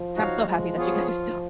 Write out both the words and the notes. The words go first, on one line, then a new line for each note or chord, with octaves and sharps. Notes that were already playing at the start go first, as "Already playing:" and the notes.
and I'm so happy that you guys are still
Already playing: F3
D#4 F#4 C#5 F5
F3 G#3
B3 F4 G#4 C#5
F4